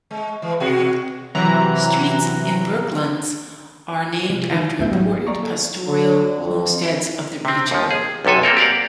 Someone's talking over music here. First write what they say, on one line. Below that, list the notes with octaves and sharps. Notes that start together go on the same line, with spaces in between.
Streets in Bourkelands are named after 'Important pastoral homesteads of the region'.
G#3
E3
B2 F#4 G#4
C3 E3 F#3 A#5 F#6
C3 F3
D#3 E3
A1 D2 B3 E4 E5 G6
F#3 G3
D5 A#5 C#6
A4
D3
F2
C3 C4
D#2 F3
G#4
B1 F#2 C3 A4 G#5
A#3 C4 A4 A#4
G4 A#4 D5 F5 F#5